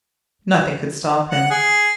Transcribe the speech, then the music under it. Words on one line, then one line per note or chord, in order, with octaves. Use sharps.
Nothing could stop him.
F#5
G#4